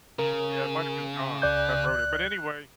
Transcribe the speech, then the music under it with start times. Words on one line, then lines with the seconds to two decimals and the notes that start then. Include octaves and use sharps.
Yeah, it might have been John that wrote it but, anyway,
0.19 C#3 A#4
1.42 C#2 D5 F#6 G6